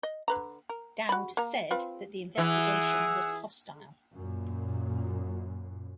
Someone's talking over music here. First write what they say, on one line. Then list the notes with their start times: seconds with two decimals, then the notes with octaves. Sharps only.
Dowd said that the investigation was "hostile".
0.03 D#5
0.28 D3 B4 A#5
0.69 A#4
1.09 F#4 B5
1.37 A#3 A#5
1.71 C4 F4 B4
2.38 E3 G#4 F#5 E6
4.14 F#2 A#2